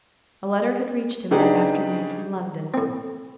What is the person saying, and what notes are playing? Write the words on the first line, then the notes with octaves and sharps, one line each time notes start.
A letter had reached him that afternoon from London.
C#3 D4 D#4 G4 G#4 B4
A2 C4